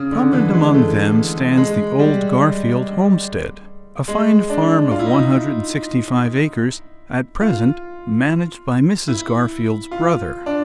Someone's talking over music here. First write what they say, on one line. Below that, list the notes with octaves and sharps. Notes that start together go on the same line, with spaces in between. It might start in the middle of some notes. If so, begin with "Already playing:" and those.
Prominent among them stands the old Garfield homestead - a fine farm of one hundred and sixty-five acres, at present managed by Mrs. Garfield's brother.
Already playing: C#3
D3
E3
G#3
A3
G#3
G3
G#3
D4
F4
E4
D#4
E4
F4
E4
F4
D4